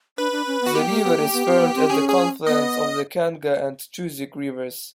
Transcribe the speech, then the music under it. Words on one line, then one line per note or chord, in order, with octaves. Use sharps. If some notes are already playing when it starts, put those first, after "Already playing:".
The river is formed at the confluence of the Kenga and Chuzik Rivers.
D4 B4
D4
C#4
B3
F#4
B3 G4
A#3
B3
A#3
B3
C4
B3
C4
C#4 G#4
G#4
B3 D#5